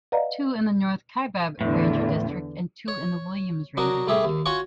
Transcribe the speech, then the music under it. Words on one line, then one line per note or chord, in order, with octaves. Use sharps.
Two in the North Kaibab Ranger District and two in the Williams Ranger District.
B4 D5 D#5 F5 F#5 A#5
E2 A2 D3
C#5
F#3 D4 D#4 F#4 A#4
C2 A3 G4 G#4 E5
D#2
C#4 F4 F#4 C#5 G#5 C#6